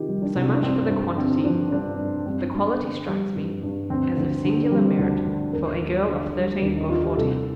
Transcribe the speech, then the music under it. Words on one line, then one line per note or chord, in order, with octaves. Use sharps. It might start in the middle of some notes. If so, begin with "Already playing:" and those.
So much for the quantity; the quality strikes me as of singular merit for a girl of thirteen or fourteen.
Already playing: C3 D#3 D#4 F4 G4
G3
D4
C2
D4
G2 C4
G2
D3 C4
F3 D4
G2 D4
G2
G2 C4
G2
D3
G3
G2
G2
D2 C4
D2
D3
D4
G3 C4
D2 D4
D2
D#2 A#4
D#2
D3
G3
D#2 D4
D#4
D#2 F4
G4
C2 A4